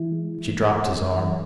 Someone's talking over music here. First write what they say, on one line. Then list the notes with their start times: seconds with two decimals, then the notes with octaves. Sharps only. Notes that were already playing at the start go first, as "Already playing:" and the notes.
She dropped his arm.
Already playing: E3 E4
0.12 G#3
0.37 E3
0.62 G#3
0.87 G#3
1.14 E3